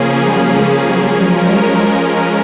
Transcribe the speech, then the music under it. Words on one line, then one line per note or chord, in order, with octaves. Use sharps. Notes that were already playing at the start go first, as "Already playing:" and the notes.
Herbalist, plants women, writer.
Already playing: C#3 F3 A#3 C#4 G#4
F3 G#3 C#4 A#4